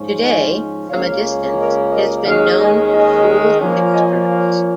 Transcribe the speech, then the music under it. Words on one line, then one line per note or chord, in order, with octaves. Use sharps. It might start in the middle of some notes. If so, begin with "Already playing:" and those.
Today, from a distance, it has been "known to fool experts".
Already playing: G#2 F3 C#4
D#5 G#5
C#2 C#3 A#3 C#4 C#5 F5
A#4 D#5
A#4 D#5
D#2 D#3 G#3 C#4 C#5 F5
D#5 G#5
D#5 G#5
A#2 F3 A#3 C#4
D#5 G#5
C#5 F5